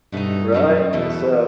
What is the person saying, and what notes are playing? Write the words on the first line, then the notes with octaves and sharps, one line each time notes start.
right? So,
G2 B2 A3 C4 D#4
F#2 B2 A3 C4 D#4
E2 B2 A3 E4 A4